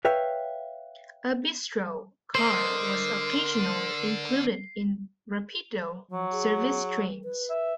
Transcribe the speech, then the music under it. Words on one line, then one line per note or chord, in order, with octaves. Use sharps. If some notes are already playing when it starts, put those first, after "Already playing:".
A "bistro" car was occasionally included in "Rapido" service trains.
B4 C#5 E5 F5 G5
D3 A#4 C5 D#5 C7
F3 F#3
G#4
B4
E5